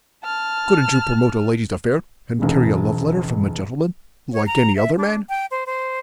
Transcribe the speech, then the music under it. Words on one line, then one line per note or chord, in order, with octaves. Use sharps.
Couldn't you promote a lady's affair and carry a love letter from a gentleman, like any other man?
A5 F6
E1 B1 F2 C#3
C#5
A#5
E5
D4
G5
C5
C5